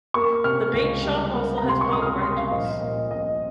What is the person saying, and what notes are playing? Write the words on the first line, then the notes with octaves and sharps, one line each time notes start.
The bait shop also has boat rentals.
A#3 C#6
C3 F6
C#2
G3
A#3
A#5
C3
C6
C#6
C#2 D#6
F6
D#6
G3 C6
F5
A#1 D#5
A#2 D#5
A#1 D#5